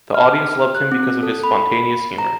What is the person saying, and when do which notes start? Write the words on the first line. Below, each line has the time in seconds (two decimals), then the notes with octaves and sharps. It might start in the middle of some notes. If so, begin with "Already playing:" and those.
The audience loved him because of his spontaneous humor.
0.15 F6
0.75 F#6
0.92 C4
1.23 A4
1.44 B5
2.18 A#5